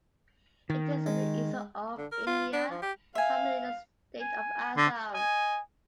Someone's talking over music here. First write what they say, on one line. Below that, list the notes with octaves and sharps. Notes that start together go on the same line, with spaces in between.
It is in the East of India, primarily in the state of Assam.
D#3
G#3
D3
A#4
F4
D4
F3
G4
E5 F5 G#5
G#5
D3 C6
D#5 G#5